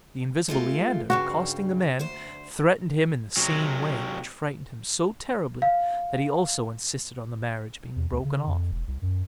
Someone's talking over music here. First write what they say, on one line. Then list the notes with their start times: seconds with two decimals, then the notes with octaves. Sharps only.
But the invisible Leander accosting the man, threatened him in the same way, which frightened him so terribly, that he also insisted on the marriage being broken off.
0.48 G#3 A3 F4
1.10 G2 C#3 G3 F#4
1.99 D2 C5
3.37 C3 F#3
5.62 F5
7.96 E2
8.12 D2
8.25 C#3
8.47 F2
8.71 E1
8.87 C2
9.02 F#2